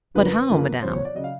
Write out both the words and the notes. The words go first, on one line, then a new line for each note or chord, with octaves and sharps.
"But how, madame?"
F#2 D3 F3 A#3 B4
F#2 D3 F3 A#3
E2 C#3 F#3 C5
C#5
D5
C#3 F#3 D#5
F5